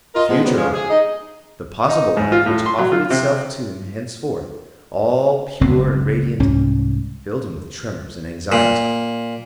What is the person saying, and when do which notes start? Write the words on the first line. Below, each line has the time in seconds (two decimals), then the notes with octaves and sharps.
The future life, the possible life which offered itself to him henceforth, all pure and radiant, filled him with tremors and anxiety.
0.15 F4 A#4 D#5
0.29 F3 G#3 B3
0.44 F#3 G3 B3
0.58 C#3 F3 G#3 F4
0.73 G#4
0.89 D#4 D#5
1.89 D#4
2.17 G#2
2.32 F4
2.46 A2
2.66 C6
2.78 F#3
2.92 F4
3.10 C3
5.61 F#1 C#2 D3 C4
6.40 C2 G#2 C#4
8.52 A#2